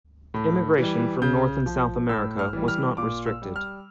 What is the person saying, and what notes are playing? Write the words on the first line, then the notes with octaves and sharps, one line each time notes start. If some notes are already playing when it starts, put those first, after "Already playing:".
Immigration from North and South America was not restricted.
A2
E3 G3
C#3 G6
F3
A2 E6
F6
E3 G3
F6
A#2 D6
E6
G3
F6